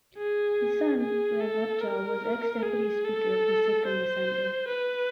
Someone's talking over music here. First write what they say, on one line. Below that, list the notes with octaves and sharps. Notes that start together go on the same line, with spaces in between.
His son Ram Lepcha was ex deputy speaker of the Sikkim assembly.
G#4
G#4
A4
A#4
G#4
A4
C5
B4